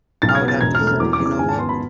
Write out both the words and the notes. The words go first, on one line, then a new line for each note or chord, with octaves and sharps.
I would have to say, "You know what?
B1 A6
F6
G#6
B3
A6
E1 G#6
F6
A3
F6
E2 D6
D6
E2
D6
G#1 G#5
A5
B3 C6
B5